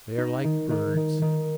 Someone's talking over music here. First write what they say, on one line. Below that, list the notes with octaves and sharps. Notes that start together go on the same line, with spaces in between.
They are like birds.
D#4
D#3
D#3
D#3
D#3